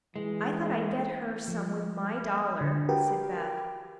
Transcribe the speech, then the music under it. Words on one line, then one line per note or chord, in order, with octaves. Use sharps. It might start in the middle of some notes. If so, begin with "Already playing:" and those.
"I thought I'd get her some with my dollar," said Beth.
E3 G#3
F3
D3
F#4 G4 A#4 B4 G5